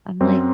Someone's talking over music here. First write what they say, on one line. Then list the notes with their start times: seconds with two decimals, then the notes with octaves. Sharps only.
I'm like,
0.21 F#2 C4